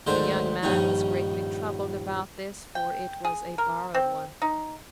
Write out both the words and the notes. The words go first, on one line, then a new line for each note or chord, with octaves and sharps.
The young man was greatly troubled about this for it was a borrowed one.
D2 G#2 D3 D#3 C5 E5
A#1 G2 D#3 C#4 D#4
G5
G#4
A#4
C4
D#4